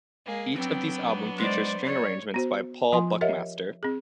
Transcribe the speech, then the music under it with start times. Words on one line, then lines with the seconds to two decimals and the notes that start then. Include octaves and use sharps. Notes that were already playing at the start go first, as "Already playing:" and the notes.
Each of these albums features string arrangements by Paul Buckmaster.
0.25 G#3 A#3 G#4
0.55 F#3 B3 C4 D4 G5
1.38 G#3 C5 D5
1.85 C#5 D5
2.34 B3 F#4 C5
2.93 F3 F4 G#5 C6
3.21 G4 A#4 C#5 D#5 E5 F#5
3.83 C4 G#4